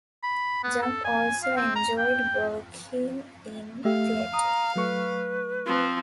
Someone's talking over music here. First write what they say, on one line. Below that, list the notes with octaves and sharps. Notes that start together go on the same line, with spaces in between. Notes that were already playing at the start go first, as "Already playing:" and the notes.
Jump also enjoyed working in theater.
B5
B3
A4
G#5
F5
C4
A#5
G5
A3 G4 E5 F5
A#5 D#6
F#3 A3 B4 C#6
F3 C4